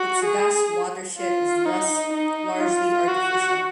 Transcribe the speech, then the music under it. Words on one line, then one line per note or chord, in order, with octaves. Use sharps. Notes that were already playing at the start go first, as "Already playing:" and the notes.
Its vast watershed is thus largely artificial.
Already playing: F#4
G#4
F4
D#4
D#4
F4
F#4